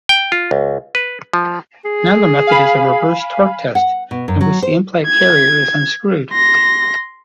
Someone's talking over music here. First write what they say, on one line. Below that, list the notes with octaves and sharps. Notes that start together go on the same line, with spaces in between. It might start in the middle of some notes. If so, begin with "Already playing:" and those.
Another method is a reverse torque test, in which the implant carrier is unscrewed.
G5
F4
C#2
B4
F3
G#4
F5 G#5 B5
F#5
B2
F#2
F#3
C5
G#6
C6 A#6